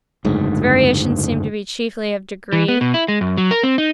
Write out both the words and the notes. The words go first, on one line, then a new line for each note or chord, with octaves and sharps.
Its variations seem to be chiefly of degree.
F#1 D2 G#2
E3
B3
B2
E4
G#3
F#2
F#3
A#4
C4
D#4